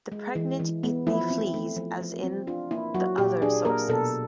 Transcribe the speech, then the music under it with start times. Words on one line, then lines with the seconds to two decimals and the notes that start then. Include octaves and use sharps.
The pregnant Eithne flees as in the other sources.
0.12 G#3
0.35 E3
0.59 E3
0.83 B3
1.07 F3 E4
1.30 C4
1.54 A3
1.76 F3
2.01 F3
2.23 C4
2.47 D4 F4
2.71 A#3 E4
2.94 F#3 F#4
3.18 A#2 G4
3.42 D4 G#4
3.65 A#3 A#4
3.89 B2 A4